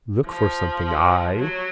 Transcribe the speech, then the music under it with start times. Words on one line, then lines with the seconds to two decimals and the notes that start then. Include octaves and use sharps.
Look for something I.
0.26 F3
1.37 F#3